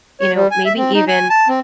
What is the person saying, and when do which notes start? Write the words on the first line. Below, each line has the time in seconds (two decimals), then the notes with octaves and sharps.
you know, maybe even
0.21 C#5
0.35 G3
0.51 G#5
0.65 E5
0.77 C4
0.94 D#4
1.08 G#5
1.30 A5
1.48 C4